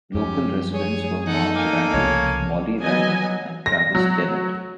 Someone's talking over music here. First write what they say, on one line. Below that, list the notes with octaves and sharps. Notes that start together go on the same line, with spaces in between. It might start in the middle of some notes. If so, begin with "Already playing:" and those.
Local Residents were Mark Randall, Molly Randall, and Travis Dennett.
F#2 F3 C#4 G4
G#4 C#5 G#5
D#4 A4 F#5
A#3 A4 G#5
C2 C#3 F3 C#5
F#3 B3 D#5 G#5
A#6
F#3